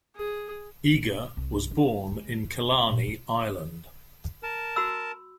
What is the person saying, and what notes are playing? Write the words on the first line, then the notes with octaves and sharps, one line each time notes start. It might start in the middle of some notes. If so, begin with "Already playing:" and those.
Eagar was born in Killarney, Ireland.
G#4
A#1
C2
D3
G#3
G2
C4
A#2
F4
A#4 A5
F#4 B5 E6